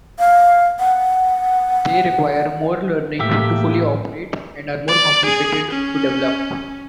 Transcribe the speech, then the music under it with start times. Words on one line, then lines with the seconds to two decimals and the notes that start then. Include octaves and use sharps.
They require more learning to fully operate and are more complicated to develop.
0.19 F5
0.79 F#5
3.19 A2 A3 A#3 G4 E5
4.88 D5
5.26 G#4
5.71 C#4